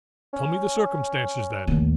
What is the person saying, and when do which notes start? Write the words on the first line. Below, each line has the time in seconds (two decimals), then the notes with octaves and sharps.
"Tell me the circumstances, then."
0.34 C#4
1.67 D#2 A2